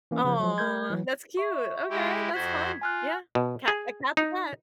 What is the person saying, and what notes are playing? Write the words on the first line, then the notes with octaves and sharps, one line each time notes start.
Aw, that's cute. Ok, that's fun. Yeah, cat a cat's a cat.
E3 A#3 C#4
C#3 F3 C5
F3 F#3
A3 A#4 G6 G#6
E3 F#3
E5 C#6
G#3 E4 G4
F2 F#4 C5 G#6 B6
F4 G#5 F6 F#6
B2
G#4
D#4